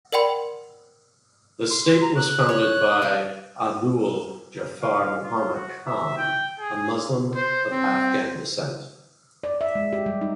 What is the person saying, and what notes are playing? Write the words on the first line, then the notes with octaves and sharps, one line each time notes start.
The state was founded by 'Abdu'l Ghafur Muhammad Khan, a Muslim of Afghan descent.
A#4 D5 F#5 G5 B5 C6
C6
A#5
F#6
C#5
D4 F5
F5
F4
F#4
E5
G5
G#4
C5
C4
D5
E5
G#3
G4
G3
D#4